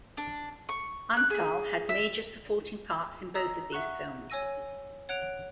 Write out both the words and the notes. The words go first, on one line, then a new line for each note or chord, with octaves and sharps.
Antal had major supporting parts in both of these films.
D4
C#6
F#6
G#4
E5
D#5 A#5 D#6 E6 B6
E5 F#5 C#6 F#6
C#5 G#5 E6 A#6 D#7
C#5 F#5 F#6 D7 F7